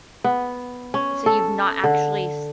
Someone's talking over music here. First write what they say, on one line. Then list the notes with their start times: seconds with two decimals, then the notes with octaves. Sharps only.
so you've not actually
0.24 B3
0.94 C#4
1.26 A4
1.84 D3